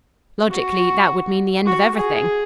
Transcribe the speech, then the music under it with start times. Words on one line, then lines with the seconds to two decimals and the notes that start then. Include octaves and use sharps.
Logically, that would mean the end of everything.
0.50 F#4
1.66 F#4
1.95 G#4